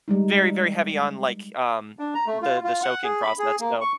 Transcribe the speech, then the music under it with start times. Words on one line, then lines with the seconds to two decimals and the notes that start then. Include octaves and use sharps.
Very, very heavy on, like, um, the the soaking process, so
0.08 G3 G#3 D#4
1.99 D4
2.15 A#5
2.27 A3
2.42 F4
2.64 F4
2.83 F#5
3.04 G#4
3.23 B5
3.39 G#4
3.60 A#3
3.81 C#6